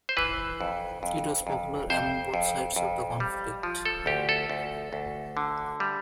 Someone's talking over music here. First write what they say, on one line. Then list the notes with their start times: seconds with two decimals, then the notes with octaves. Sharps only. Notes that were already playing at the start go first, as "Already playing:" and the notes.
It was popular among both sides of the conflict.
0.09 C5
0.17 E3 B4
0.61 F2
1.03 F2
1.47 F2
1.90 F2 C5
2.34 F2
2.76 F2
3.20 G3
3.63 F3
3.85 A4
4.06 D2 G4
4.29 A4
4.50 D2
4.93 D2
5.37 D3
5.80 G3